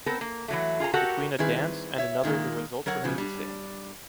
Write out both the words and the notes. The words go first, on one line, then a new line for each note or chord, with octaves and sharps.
Between a “dance” and another the results remained the same.
B3 C4 A4 A#4
A#3
E3 F#3 A3
F4 G#4 A4 A#5
F#4 G4 A4 A#4 F#5
D#3 G3 C4 E4 G#4 B4
C#5 E5
A#2 D#3 G#3 A#3
F#3 A#4 C#5 F#5
G#2 C#3 F3 F#3
G3 D4